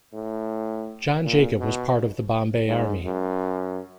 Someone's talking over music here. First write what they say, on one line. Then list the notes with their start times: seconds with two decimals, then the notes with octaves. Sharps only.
John Jacob was part of the Bombay Army.
0.13 A2
1.23 A#2
1.59 B2
2.67 G#2
3.05 F#2